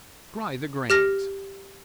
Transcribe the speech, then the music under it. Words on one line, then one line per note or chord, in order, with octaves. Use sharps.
Dry the grains.
G4 F6 A#6